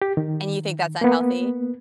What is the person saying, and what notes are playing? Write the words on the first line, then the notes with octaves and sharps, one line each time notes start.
And you think that's unhealthy?
G4
D#3
A#3 B3